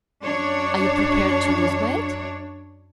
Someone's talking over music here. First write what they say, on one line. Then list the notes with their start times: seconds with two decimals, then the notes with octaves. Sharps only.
"Are you prepared to lose by it?"
0.24 F#2 D4 C#5